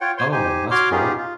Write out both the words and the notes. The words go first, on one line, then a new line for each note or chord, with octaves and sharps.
Oh, that's cool.
F4 C#5 F#5 G5
C5 C#5 C6
D#4 G4 C5 G#5
F#4 C#5 C6 D6 F6
B3 C#4 D#4 F4 G4 G#4
F4